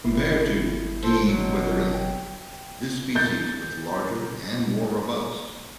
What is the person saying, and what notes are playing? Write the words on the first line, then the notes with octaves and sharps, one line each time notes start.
Compared to "D. wetherilli", this species was larger and more robust.
G1 E4
A4 C5
B2 F#3
G5
G6 A6